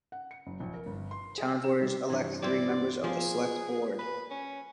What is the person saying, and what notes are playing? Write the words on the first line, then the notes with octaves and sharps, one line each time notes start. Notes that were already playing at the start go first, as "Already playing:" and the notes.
Town voters elect three members of the select board.
F#5
C#7
F#1
A#1
A#4
G1
C6
G#4
E7
G3
G2 E3
G3 E4 C5 D5
F3 A#3 G#4
B4
C#4